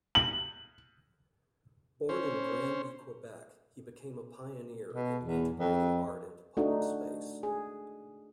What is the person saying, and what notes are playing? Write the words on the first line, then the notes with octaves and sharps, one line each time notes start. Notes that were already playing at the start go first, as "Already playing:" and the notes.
Born in Granby, Quebec, he became a pioneer in integrating art into public space.
F#7
C#4 C5
B2
E2
F2
A3 D4 D#4 F#4
G#4